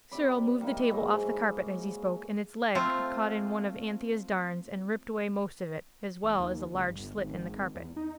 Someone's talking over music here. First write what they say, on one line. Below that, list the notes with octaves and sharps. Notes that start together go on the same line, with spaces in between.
Cyril moved the table off the carpet as he spoke, and its leg caught in one of Anthea's darns and ripped away most of it, as well as a large slit in the carpet.
C3 D5 B5
G3 A#3 D#4 E4
G#2 F#3 A#3 G#4
A3 C4 F4
E1
D#2
C#2
G1
G#1
E2
D#4